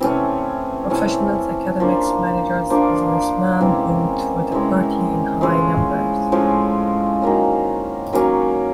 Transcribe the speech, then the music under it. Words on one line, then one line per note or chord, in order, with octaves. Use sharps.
Professionals, academics, managers, businessman vote for the party in high numbers.
C3 E3 A3 C#4
C3 E3 A3 C#4
F3 A#3 D4
F3 A#3 D4
C3 E3 G#3 C#4
C3 E3 G#3 C#4
A2 F3 G#3 C#4
A2 F3 G#3 C#4
D#3 F#3 A#3 C#4
D#3 F#3 A#3 C#4